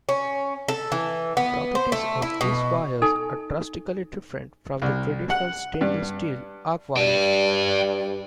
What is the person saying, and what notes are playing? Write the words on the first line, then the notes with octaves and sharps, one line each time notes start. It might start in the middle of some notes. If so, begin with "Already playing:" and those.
The properties of these wires are drastically different from the traditional stainless steel archwires.
C#4
A4
E3
B3
C5
A3
E4
B2
D#4 A4 G#5
C2
F#5
G2
G2 D5 G5 A5